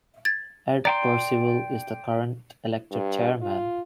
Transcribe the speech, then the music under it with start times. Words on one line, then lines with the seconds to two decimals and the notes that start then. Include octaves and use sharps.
Ed Percival is the current elected chairman.
0.25 G#6 A6
0.85 D5 G5 A#5 C6
2.91 G2
3.42 F4